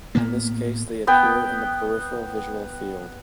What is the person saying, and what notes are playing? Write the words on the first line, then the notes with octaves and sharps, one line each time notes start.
In this case they appear in the peripheral visual field.
A2 A#3 B3
B3 G5